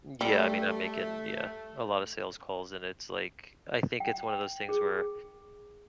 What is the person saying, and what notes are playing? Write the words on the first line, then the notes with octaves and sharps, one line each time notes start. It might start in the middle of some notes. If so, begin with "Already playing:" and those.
Yeah, I mean, I'm making yeah, a lot of sales calls, and it's, like, I think it's one of those things where
G3 A3
G5
G#4